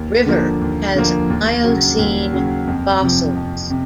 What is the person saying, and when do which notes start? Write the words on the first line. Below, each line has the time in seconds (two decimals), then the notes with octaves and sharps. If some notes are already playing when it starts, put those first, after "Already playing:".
River has miocene fossils.
Already playing: D#2
0.26 D3 F3 A#3
0.61 D#2
0.95 D3 F3 A#3
1.30 D#2
1.64 C#3 F#3
1.99 D#2
2.33 C#3 F#3
2.67 F2
3.01 C3 F3
3.35 F2
3.70 C3